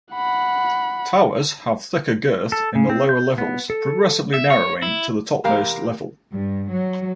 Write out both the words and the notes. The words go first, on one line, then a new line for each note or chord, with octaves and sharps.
Towers have thicker girth in the lower levels, progressively narrowing to the topmost level.
F#5 B5
A4
C#3
C4
G6
B3
A4
E5
C#5
E4
E2 C3 G4 A#4 F5 A#5
G2
F#3